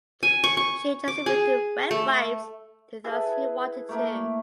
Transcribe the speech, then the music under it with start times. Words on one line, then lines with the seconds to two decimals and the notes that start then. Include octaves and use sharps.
She distributed wet wipes to those who wanted to.
0.23 G#5
0.44 C#6
0.57 C#6
1.08 D6
1.26 G#4
1.91 A3
3.04 E4 G#4 A4 B4
3.89 A3 A#3 E4